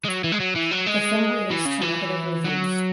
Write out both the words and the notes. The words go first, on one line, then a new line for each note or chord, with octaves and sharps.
The film released to negative reviews.
G#3
F#3
E3
G#3
F#3
E3
F#3
G#3
E3
C#3
E3
F#3